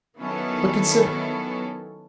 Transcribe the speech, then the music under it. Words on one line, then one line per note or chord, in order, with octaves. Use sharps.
But consider.
D#3 F#3 B3 C#4 E4 A4